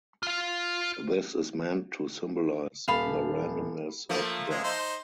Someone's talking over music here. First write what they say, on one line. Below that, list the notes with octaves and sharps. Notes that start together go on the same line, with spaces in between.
This is meant to symbolize the randomness of death.
F4 F5
D#1 F5 A5 B5
F3 A3 A#3
G#3
D#4 C5